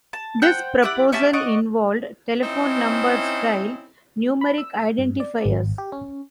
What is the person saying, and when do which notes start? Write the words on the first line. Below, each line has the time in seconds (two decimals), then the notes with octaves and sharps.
This proposal involved telephone number style numeric identifiers.
0.13 A5
0.42 C5 F#5 G5 F#6
0.83 E4 G4 D5 F#5
1.12 C#4 E4 G4 A5
1.33 D5 D#5 F#5 C#6
2.43 C4 C#4 D#4 E4
4.41 B5
4.58 E6
4.98 G2
5.20 D5
5.45 G#1
5.78 G4
5.92 C#4